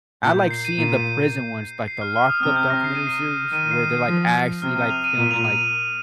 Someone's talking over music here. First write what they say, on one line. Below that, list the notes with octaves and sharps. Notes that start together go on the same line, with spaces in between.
I like seeing the prison ones, like the Lockup documentary series, where they're, like, actually, like, filming, like,
A#2 G6
G6
C7
D#7
A#2 D#7
C7
F6
F6
D#6
C3 F6
G6
A#6
C7
D#7
C7
D#3 D#7
C7
C7
F3
C3 F6
D#7
F7
D#7
A#2 D#7
F7
D#7
F7